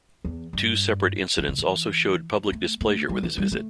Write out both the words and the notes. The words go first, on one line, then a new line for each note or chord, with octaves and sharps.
Two separate incidents also showed public displeasure with his visit.
E2
G2
E3
D3
E3
A3
A3
G3
E3
G3
A3